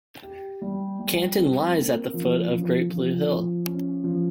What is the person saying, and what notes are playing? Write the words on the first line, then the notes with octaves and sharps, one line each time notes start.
Canton lies at the foot of Great Blue Hill.
G4
G3
G3
C4
A#3
F3
F3
F3
F3
C#4
F3